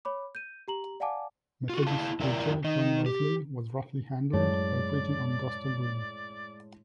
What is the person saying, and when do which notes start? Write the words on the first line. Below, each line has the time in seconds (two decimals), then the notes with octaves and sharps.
Methodist preacher John Wesley was roughly handled while preaching on Gosta Green.
0.05 C#5 B5 D6
0.35 G6 D#7
0.68 G4 A#5 F#7
1.00 D5 F5 F#5 G#5 A5 D6
1.69 F4 F#4
1.87 E4 G#4 F5 A5
2.20 F2 E4 F4 A#4 D5 G5
2.64 D#3 D#4 D#5
3.06 G4
4.33 F#2 A2 G#3 C#5 D5 A5